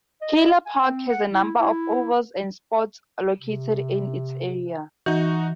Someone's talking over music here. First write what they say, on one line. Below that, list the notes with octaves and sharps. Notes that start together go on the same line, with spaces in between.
Keilor Park has a number of ovals and sports located in its area.
D#5
G#5
C4
F#5
E4
E4
C3
E3 D#4 F#4